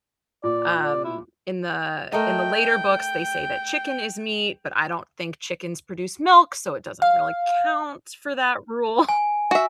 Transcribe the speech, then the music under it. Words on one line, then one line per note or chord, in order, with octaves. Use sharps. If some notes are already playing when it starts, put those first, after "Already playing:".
um, in the in the later books they say that chicken is meat, but I don't think chickens produce milk, so it doesn't really count for that rule.
A#2 D5
D5
E4
A3 A#4 D#5 G5
F5
G#5
F#4 E5